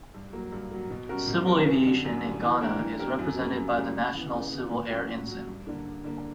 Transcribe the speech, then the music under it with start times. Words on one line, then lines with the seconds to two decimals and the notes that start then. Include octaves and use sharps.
Civil aviation in Ghana is represented by the national civil air ensign.
0.14 G2
0.32 F#3 A#3
0.52 G2
0.71 F#3 A#3
0.90 B2
1.09 G3 C#4 F#4 A#4
1.27 B2
1.47 G3 C#4 F#4 A#4
1.66 F#2
1.85 D3 G3
2.05 F#2
2.24 D3 G3
2.42 E3
2.61 A#3 D4 G4 A#4
2.80 E3
2.99 A#3 D4 G4 A#4
3.19 F#2
3.37 C#3 G3 A#3
3.56 F#2
3.75 C#3 G3 A#3
3.95 C#3
4.14 E3 B3
4.33 C#3
4.52 E3 B3
4.71 A#2
4.90 F#3 C#4 F#4
5.09 A#2
5.27 F#3 C#4 F#4
5.47 G2
5.66 D3 A#3 D4
5.85 G2
6.04 D3 A#3 D4